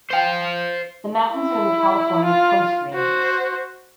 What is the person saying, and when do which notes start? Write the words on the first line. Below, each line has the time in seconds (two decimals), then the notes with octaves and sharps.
The mountains are in the California Coast Ranges.
0.11 C5 F5
1.32 E4
2.24 F4
2.94 F#4 C5